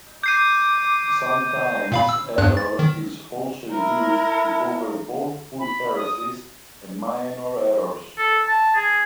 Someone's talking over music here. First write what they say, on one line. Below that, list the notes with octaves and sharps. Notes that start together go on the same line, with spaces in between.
Sometimes error is also used to cover both full heresies and minor errors.
D6 G6 C7 D#7
A#2 F5 B5
E6
E2 G2 F#6
A6
D#3
E4 A#4
B5
D#6
A4
A5
G#4